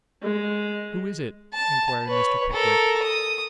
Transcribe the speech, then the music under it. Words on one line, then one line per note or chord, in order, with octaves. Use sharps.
'Who is it?' inquired Mr. Pickwick.
G#3
A5
B4 C#5
A4 A#4
D#6